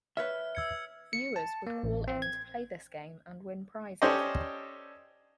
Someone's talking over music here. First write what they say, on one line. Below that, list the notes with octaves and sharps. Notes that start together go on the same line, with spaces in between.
Viewers would call in to play this game and win prizes.
B4 C#5 E5 F6
E6 G#6 C#7
C#7
A5
A#3
A1
C4
G#6
C#4 G4 A4 C5 D5 D#5